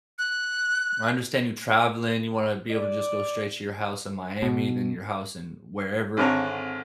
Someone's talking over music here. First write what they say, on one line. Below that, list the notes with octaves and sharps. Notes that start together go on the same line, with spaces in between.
I understand you traveling. You wanna be able to just go straight to your house in Miami, then your house in wherever,
F#6
D5
B2
G#1 D3 C4 A4 C#5 A#5